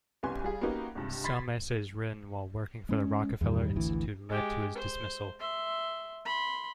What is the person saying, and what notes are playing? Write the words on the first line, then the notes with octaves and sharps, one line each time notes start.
Some essays written while working for the Rockefeller Institute led to his dismissal.
C2 B3 C#4 G4 G#5 C6
G3 F4 G#4
A#3 B3 C#4 D#4 F#4 G4
C#2 G2 C3
B5 C6 G#6 A6 B6 C7
G#3 B3 C#4
E2 G2 D#3 G3
G#1 D2 E3
G#3 G4
C5
E5 C6
B5 C6